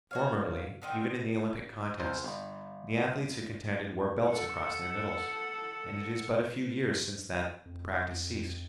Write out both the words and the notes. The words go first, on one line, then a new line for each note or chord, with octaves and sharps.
Formerly, even in the Olympic contests, the athletes who contended wore belts across their middles; and it is but a few years since that the practice ceased.
F#4 C#5 F5
D3 D#3 C4
C2 C5
G1
A4 F#5
F2